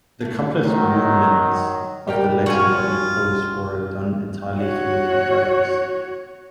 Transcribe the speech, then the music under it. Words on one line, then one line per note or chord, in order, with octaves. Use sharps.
The complex movements of the legs and body pose were done entirely through hydraulics.
A3 D4
F#2 D#3 F#3 D#4 C5
G3 A#4 G5
F4 F#4 C#5 G#5
F#4 C#5